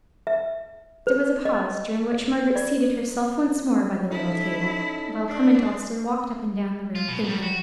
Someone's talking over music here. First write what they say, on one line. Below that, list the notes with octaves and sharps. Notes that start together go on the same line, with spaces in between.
There was a pause, during which Margaret seated herself once more by the little table, while Clement Austin walked up and down the room thinking.
E5
B4
D#5
D5
C#4 D#4 E4 A4
D4
F4
B2
F#3 G3
F#4